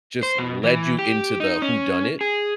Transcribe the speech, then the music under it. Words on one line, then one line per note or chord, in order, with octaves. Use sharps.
just led you into the whodunit,
C5
B2
E3
G4
D#4
C#4
G#4